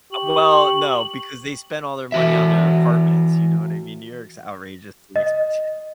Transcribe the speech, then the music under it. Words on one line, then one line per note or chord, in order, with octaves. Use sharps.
Uh, well, no, because they spend all their money on their apartments, you know what I mean? New York's outrageous, the expression.
G4 C#6 F#7
E3 F#4 E5
D#5